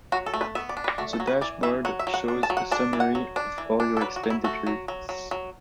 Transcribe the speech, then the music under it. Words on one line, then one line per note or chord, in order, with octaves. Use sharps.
The dashboard shows a summary of all your expenditure.
F#3 F#4
A4
A3
B4
B3 E5
D5
D4
B4
A3 F#4
A4
F#3
B4
E3 D5
E3 E5
F#3 F#5
E5
F#3
F#5
D4
A5
F#3
F#5
D4 A5
E3
F#5
F#3
D4
E3
D4
A4
F#3 B4
F#4
F#3
E4
A3 F#4
F#3
F#3
F#3
F#3